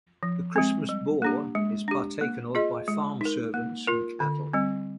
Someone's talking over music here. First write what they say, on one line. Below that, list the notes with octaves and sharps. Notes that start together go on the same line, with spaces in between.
The Christmas Boar is partaken of by farm-servants and cattle.
F3
G#3 C4
G3
A#3 D4 G4
G#3
D4 G4
A#3
F4 G#4 D#5
G#3
D#4 A#4
A#3
F4 A#4
D3
G3 C4